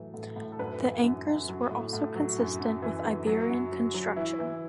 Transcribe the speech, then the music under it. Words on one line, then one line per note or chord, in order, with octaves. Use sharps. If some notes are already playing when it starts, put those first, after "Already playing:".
The anchors were also consistent with Iberian construction.
Already playing: A2 E3 F#3
A2
A2
A4
F#2 B4
E3
F#2
F#2
F#3
A2
A2
F#3
F#2
F#2
E3
F#2
F#3
F#2
F#3
F#3
E3 E4
E3